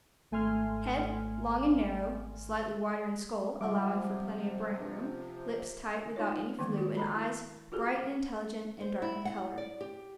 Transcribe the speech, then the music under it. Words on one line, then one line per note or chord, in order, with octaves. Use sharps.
HEAD--Long and narrow, slightly wider in skull, allowing for plenty of brain room; lips tight, without any flew, and eyes bright and intelligent and dark in colour.
G#1 A3 G#5 C6 F6
C3 F3 G3 E5 F#5 D6
D#4 F4 C#5
D#3 F3 G#3 A#3 B3
F4 F#4
A4 D#5 A#5 B5
E4
F4 F#4 G#4 A4
C5
E4
F#5
D5
G4